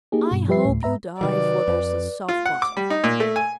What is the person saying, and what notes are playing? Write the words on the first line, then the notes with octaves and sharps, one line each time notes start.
"I hope you dive where there is a soft bottom."
A#3 D#4 G4 G#4
G2 B2
F3 G3 G4 B4 E5 C7
D2 A2
G#2 B4 E5 A#5
C3 D#3 F#3 B4 D5
F2
F4
F#5
D6
G3
D#4
A#2
A3
G#5